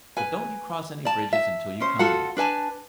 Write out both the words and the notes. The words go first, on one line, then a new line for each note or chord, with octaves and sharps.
But don't you cross any bridges until you come to them.
B4 G#5
D5 A5
E5
C#4 C5
F4 F#4 A4 F#5
D4 B4 G#5 A5